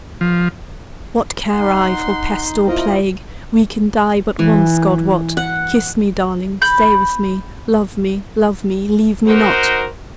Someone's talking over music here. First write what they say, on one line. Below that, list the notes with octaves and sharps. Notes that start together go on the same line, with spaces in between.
"What care I for pest or plague? We can die but once, God wot, Kiss me darling--stay with me: Love me--love me, leave me not!"
F3
D#4 F#5 C6
A#3 E4 F4 A#4 C5 D#5
E3
F#5
B5 G6
D#4 F#4 A#4 C5